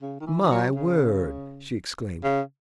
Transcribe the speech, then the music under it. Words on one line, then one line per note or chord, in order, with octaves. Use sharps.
'My word!' she exclaimed.
C#3
D#3
E3
E3
F#3
C#3
C#3